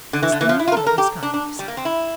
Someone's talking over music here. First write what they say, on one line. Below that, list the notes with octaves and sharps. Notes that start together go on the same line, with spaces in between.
That's the meaning of his kindness.
D3
E3
D3
E3
F3
E4
F4
A#4
A4
A#4
G4
D4
D4
G3
A#3
C4
E4